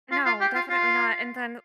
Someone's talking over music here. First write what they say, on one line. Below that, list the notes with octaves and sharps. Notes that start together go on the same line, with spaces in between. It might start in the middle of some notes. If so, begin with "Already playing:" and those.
No, definitely not. And then
F4
F4
G4
F4
F4